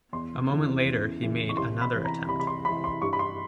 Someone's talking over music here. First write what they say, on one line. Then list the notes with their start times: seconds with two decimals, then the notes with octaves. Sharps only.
A moment later he made another attempt.
0.13 E2 C6
0.50 C#3 E3
0.85 E2
1.21 C#3 E3
1.49 C#6
1.57 C2 C6
1.81 B5
1.94 C3 E3
2.05 A#5
2.29 C2 B5
2.40 B5
2.47 C6
2.65 C3 B5
2.69 E3
2.84 C6
3.02 G2 C#6
3.13 B5
3.19 C6